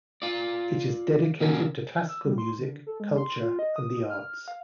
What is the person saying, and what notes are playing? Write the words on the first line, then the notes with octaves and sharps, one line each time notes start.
It is dedicated to classical music, culture, and the arts.
F4 D5
A#2 F#3 A#3 C#4 D4
E6
G3
C6
D3
A4
G#3
C6
F4
D#5
D#6
F6
F5